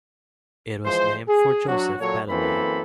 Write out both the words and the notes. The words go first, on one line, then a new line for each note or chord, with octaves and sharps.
It was named for Joseph Baddeley.
E3 F3 G#3 C5
G#4
F#3 D4 F#4
A#2 F#3 A4 C#5
F#2 E3 A#3 C4 A4 B5